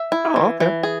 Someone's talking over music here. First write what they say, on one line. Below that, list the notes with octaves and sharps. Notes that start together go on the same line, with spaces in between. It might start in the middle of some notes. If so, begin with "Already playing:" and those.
Oh, okay.
Already playing: E5
E4
E3
E3
G#4